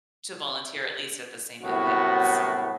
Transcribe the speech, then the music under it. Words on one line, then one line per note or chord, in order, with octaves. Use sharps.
to volunteer, at least at the same events.
C2 F#2 A2 B3 F#4